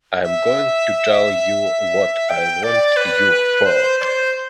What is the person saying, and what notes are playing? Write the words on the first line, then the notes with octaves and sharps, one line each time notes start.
I'm going to tell you what I want you for.
E5
G5
D5
B4
C5
D5
C5